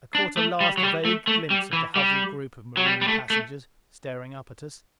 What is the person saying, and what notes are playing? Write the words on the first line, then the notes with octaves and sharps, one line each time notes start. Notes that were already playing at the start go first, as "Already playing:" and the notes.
I caught a last vague glimpse of the huddled group of marooned passengers, staring up at us.
D4
A3
G3
F#3
G3
A3
A3
G3
E3
G3
F#3
G3
G3
A3
A3